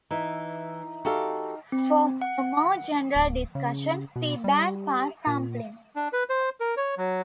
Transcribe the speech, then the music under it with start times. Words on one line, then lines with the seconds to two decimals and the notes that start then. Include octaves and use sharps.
For a more general discussion, see bandpass sampling.
0.11 E3 D#4 E5
1.05 D#4 F#4 G4 A4 F5
1.72 C4
2.22 F#5
3.14 D1
3.55 C#3
4.16 B2
4.44 G3
5.27 A#2
5.96 D4
6.13 B4
6.30 C5
6.60 A#4
6.77 C#5
6.97 F#3